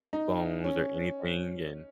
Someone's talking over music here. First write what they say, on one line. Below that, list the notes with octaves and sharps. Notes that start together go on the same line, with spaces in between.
bones or anything and
D#4
C#4